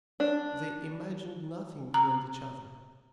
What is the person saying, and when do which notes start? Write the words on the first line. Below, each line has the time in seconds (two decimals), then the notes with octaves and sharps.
They imagined nothing beyond each other.
0.20 D4
1.94 A#5